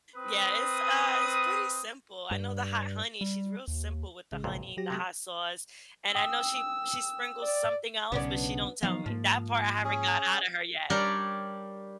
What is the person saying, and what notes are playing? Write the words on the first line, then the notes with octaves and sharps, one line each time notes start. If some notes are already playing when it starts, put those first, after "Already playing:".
Yeah, it's uh, it's pretty simple. I know the hot honey, she's real simple with the honey and the hot sauce, and I know she she sprinkles something else, but she don't tell me. That part I haven't got out of her yet.
C4 B4 D#6
G2
G3
D#2
A1 C#3 G#3
B1 F2 A#2
F#3 G4 A#6
C3 G#3 A3
G5 D#6 E6
D5
B1 C#3 B3 C#4 D4
D#3 F3 F#3 B3 F5
G#2 F3 A#3
C#4 G#4
G3 D4 G4 A#4 C#5 D5